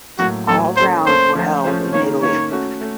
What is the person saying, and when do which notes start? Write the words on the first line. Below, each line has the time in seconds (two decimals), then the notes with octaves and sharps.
All rounds were held in Italy.
0.18 A2 F#3 A#3 F#4
0.48 A2 F#3 A#3 A4
0.76 A#3 C#4 A4 C5 C#5
1.06 A#3 C#4 A4 C5 C#5
1.35 F3 A3 C#4 F4 C5
1.64 F3 A3 C#4 F4 C5
1.93 D#3 A#3 C#4 C#5
2.22 D#3 A#3 C#4 C#5
2.51 A3 C#4 F#4
2.81 A3 C#4